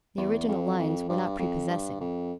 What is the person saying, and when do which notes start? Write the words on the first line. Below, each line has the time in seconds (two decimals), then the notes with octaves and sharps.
The original lines were not prepossessing.
0.17 E2
0.48 F2
0.79 F2
1.09 G2
1.39 F2
1.70 G2
2.00 F2